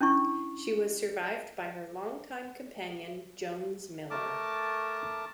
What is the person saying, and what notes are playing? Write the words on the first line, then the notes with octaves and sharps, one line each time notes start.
She was survived by her longtime companion, Jones Miller.
C#4 D4 E4 C#6
A3 A#4 A5 D6